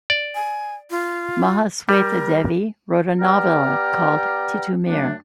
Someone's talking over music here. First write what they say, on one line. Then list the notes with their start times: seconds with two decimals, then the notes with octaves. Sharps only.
Mahasweta Devi wrote a novella called "Titu Mir".
0.10 D5
0.35 G#5
0.90 F4
1.89 G3 A#4
3.20 B3 G4 D5 G5 A#5 F6
4.88 F#2 F#3 A3 D4